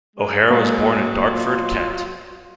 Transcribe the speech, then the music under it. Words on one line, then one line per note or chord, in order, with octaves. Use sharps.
O'Hara was born in Dartford, Kent.
G#3
F#3 G#3 A#3
F4